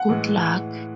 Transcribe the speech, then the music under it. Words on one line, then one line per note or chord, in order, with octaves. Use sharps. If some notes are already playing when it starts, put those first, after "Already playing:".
Good luck?
Already playing: F#5
A2 E3 G#3